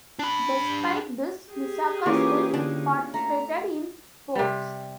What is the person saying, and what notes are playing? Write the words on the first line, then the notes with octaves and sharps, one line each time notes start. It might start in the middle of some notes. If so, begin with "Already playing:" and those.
Despite this, Misaka still participated in sports.
D4 B5
G4 G#4
E3 A#3 C#4 F4 D6
D3 D4
A3 A#5
C3 G3